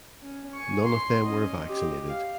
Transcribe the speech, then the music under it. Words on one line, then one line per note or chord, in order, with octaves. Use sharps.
None of them were vaccinated.
C#4
G#5 C#6
C6
C#4 D#5
G4
F5